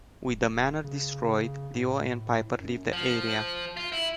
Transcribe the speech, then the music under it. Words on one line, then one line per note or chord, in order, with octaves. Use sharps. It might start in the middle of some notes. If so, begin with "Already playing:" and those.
With the manor destroyed, Leo and Piper leave the area.
D1
C#3
A2
F#2
F3
F4
E4